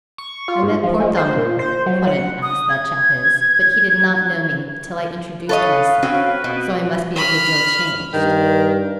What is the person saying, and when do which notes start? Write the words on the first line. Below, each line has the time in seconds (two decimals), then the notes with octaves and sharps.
I met poor Dominick--what an ass that chap is--but he did not know me till I introduced myself, so I must be a good deal changed.
0.18 C#6
0.48 F4
0.63 G#2
0.84 F3
1.00 G#3
1.17 C5
1.37 A#2
1.59 C5
1.86 F#3
2.07 F#5
2.42 D#6
2.69 G#6
5.49 A4 B4 C#5 D#5 F5
6.02 C4 C#4 F#4 F5
6.44 B2 C4 F#4
7.16 B5 F6
8.14 G2 D#3